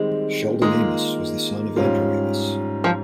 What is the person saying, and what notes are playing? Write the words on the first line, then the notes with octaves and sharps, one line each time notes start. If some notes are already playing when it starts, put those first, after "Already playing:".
Sheldon Amos was the son of Andrew Amos.
Already playing: D#3 G3 G#3 C4
D#3 G#3 A#3 F4
G#2 G3 C#4 F4
F3